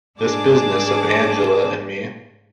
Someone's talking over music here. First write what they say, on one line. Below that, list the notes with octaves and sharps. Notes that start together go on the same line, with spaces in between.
This business of Angela and me.
G#2 D4 G#4 A5 D6